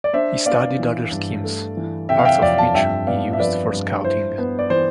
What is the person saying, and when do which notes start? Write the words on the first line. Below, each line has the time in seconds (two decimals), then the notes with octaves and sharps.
He studied other schemes, parts of which he used for Scouting.
0.04 D5
0.13 D4 C5 E5
0.46 B3 D5 F5
0.79 E3
1.12 G2
1.44 A3
1.77 E3
2.09 C3 E5 G5
2.19 F5
2.25 E5 G5
2.42 F2 D5 F5
2.58 F5 A5
2.75 G2 E5 G5
3.07 B3 D5 F5
3.33 E5
3.39 F3 B4 D5
3.72 G2
4.05 E4 C5
4.38 B3
4.59 D5
4.70 E3 C5